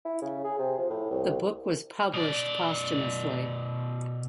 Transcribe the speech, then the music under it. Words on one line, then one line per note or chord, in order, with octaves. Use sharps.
The book was published posthumously.
E4
C#3
G#4
C3
F3
A2
C2
B2 D5